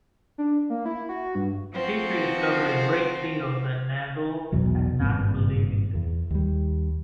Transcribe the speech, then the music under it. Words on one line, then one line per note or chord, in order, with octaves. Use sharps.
Petrie discovered a great deal that Naville had not believed existed.
D4
A#3
E4
F#4
G2
F3 C4 F#4
A#1 E2 B2 F#3
G#1 G2 A#2 C4
E2
D#2 G3